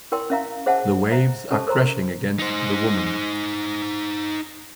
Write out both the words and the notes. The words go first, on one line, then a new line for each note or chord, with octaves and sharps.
The waves are crashing against the woman.
E4 A#4 G5 C6
C#4 A#4 E5 F5 A#5
G#4 C5 E5 F#5 G5 A5
C5 E5 A#5
C#4 G4 A4 C5 E5 A5
A#4 C5 A#5 C6
D#4 C5